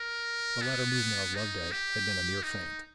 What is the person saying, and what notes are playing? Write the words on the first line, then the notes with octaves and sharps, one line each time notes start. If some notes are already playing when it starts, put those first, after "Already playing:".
The latter movement of Loveday had been a mere feint.
Already playing: A#4
B3
D#4
G4
D#4